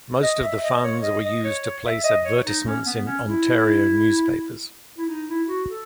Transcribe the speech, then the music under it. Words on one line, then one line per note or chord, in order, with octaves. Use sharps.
Most of the funds were used to place advertisements in Ontario newspapers.
D#5
E5
D#5
C#5
D#5
D#5
C#5
C#5
E5
D#5
C#5
D#4
C#4
B3
C#4
E4
E4
D#4
E4
F#4
A4